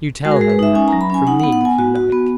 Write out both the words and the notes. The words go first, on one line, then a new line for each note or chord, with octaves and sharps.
You tell her that--from me, if you like.
G#3 F#4
A#4
G#4
G#3
B4
D#4 E5
C#4 G#5
A#5
F#3
B5
C#4 G#5
D#4 F#5
F#5
B3
F#5
B3 G#5
F#4
F#4
B3